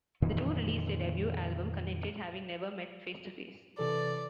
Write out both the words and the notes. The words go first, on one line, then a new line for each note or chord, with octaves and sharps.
The two released their debut album, "Connected", having never met face to face.
F2 A#2 D#3 E3
C3 E3 A4 D5